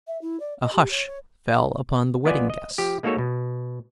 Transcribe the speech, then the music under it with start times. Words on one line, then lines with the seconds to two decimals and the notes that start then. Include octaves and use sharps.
A hush fell upon the wedding guests.
0.07 E5
0.21 E4
0.40 D5
0.61 D#5
0.73 G4
0.90 C#5
1.07 C#5
2.25 B3 F4 D5 D#5 G#5
2.50 D#5
2.78 F3 G4
3.03 G#3 A#3 D#4 F#4 A4 C#5
3.18 B2